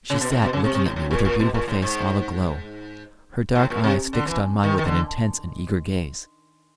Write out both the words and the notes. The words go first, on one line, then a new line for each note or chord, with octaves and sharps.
She sat looking at me with her beautiful face all aglow her dark eyes fixed on mine with an intense and eager gaze.
C#3
B2
A2
B2
C#3
C3
C3
A2
A2
A#2
A#2
B2
A#2
A2
G#2
A2
A#2
C3
D3
E3
D#3
D#3
D3